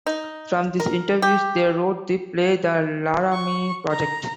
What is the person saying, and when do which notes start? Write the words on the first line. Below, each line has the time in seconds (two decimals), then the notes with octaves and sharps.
From these interviews they wrote the play "The Laramie Project".
0.06 D#4
0.80 A#4
1.22 G4
3.33 C#6
3.90 A#5